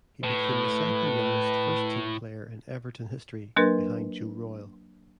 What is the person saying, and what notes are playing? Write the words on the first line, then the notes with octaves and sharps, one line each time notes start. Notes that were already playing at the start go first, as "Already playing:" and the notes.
He became the second youngest first-team player in Everton history behind Joe Royle.
A2 B4
F#3 A#3 D4 A#4 B4